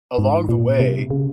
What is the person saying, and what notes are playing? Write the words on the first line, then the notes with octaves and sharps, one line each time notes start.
along the way,
G#2
A#2
C3
C#3